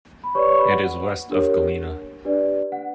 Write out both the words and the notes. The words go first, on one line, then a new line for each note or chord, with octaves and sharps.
It is west of Galena.
B5
G4 B4 C#5 D5 C#6
C#5 C#6
B4 B5
F#5
D4 G4 A#4 C#5
D4 G4 B4 D5
F#5